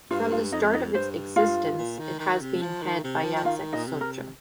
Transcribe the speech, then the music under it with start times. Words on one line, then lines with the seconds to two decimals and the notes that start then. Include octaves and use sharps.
From the start of its existence it has been head by Jacek Socha.
0.11 G2 F4 F5
0.32 F4 F5
0.52 F2 D#4 D#5
0.73 D#4 D#5
0.94 G2 C5
1.36 G2 F4 F5
1.78 A#2
1.99 D#3
2.20 D#3
2.41 C3
2.62 F3
2.82 D#3
3.04 C3
3.24 F3
3.36 F3
3.45 D#3 F4 F5
3.73 A#2 D#4 D#5
3.87 C3
4.01 A#4